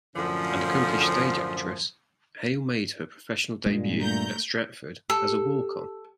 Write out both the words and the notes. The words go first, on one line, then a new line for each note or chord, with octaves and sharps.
An accomplished stage actress, Hale made her professional debut at Stratford as a walk-on.
F#2 A2 D3 F3
G2 A#2 G#3
A3 A#5 G6
G4 A4